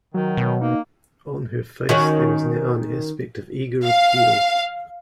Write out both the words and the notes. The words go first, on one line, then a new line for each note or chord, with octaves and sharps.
On her face there was now an aspect of eager appeal.
D#3 F#3
B2
A#3 D#4
D#3 C#4 F#4
F5